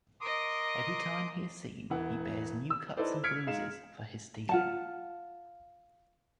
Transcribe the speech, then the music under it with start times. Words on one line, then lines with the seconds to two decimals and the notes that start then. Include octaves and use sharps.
Every time he is seen, he bears new cuts and bruises for his stealing.
0.21 A#4 D#5 C6 D6 D#6
1.90 E1 E3 F#5
2.70 E6
2.97 D#4 E4 A4 B4 C5 D5
3.24 F6 G#6 B6 C#7 D7
3.46 G#3 D#4 F5 E7
4.49 F4 F#5 A5